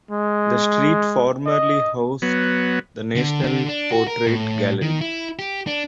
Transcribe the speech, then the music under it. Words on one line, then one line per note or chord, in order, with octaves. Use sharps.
The street formerly housed the National Portrait Gallery.
G#3
D#5
F#3 B3
D3
D3
D4
F#4
A#4
A2
D#3
E4
G4
D4